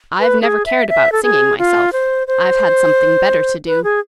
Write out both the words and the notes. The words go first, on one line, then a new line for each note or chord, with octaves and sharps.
I've never cared about singing myself; I've had something better to do.
B4
G#4
E5
E5
A4
G#4
F4
C5
C5
B4
G#4